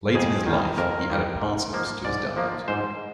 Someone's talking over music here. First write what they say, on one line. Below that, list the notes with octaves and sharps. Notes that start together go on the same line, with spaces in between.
Late in his life he added parsnips to his diet.
F2 G#4
D#3 G3
F2 A#4
D#3 G3
G#2
F3 A#3
G#2 D5
F3 A#3
G#2 C5